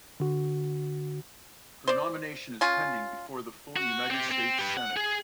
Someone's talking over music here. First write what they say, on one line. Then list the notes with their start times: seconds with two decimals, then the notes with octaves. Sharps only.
Her nomination is pending before the full United States Senate.
0.20 D3 F#4
1.87 C5 D5
2.61 C#4 F4 G#5
3.76 F#4
4.11 C4 G4
4.31 C4
4.59 G4 B4
4.77 F#5
4.97 G#4